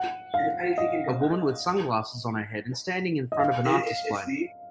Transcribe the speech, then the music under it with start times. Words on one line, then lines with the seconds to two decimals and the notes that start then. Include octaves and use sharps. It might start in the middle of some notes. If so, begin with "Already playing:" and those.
A woman with sunglasses on her head and standing in front of an art display.
Already playing: F#5
0.34 F5
0.78 D#5
3.32 D#5
3.39 F5